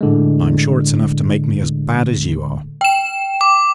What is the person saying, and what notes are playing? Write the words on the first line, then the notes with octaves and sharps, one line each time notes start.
I'm sure it's enough to make me as bad as you are.
A2 D3 G#3
G5 E7
D6